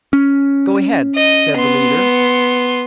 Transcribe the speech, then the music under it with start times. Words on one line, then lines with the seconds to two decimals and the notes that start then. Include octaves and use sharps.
"Go ahead," said the leader.
0.13 C#4
1.15 D#5
1.55 B3 C6